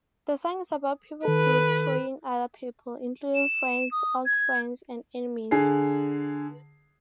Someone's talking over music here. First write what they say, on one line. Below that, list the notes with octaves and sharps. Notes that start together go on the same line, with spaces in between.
The song is about people betraying other people, including friends, old friends, and enemies.
D#3 A4 B4
E7
D#6
G#6
D3 G#4 C7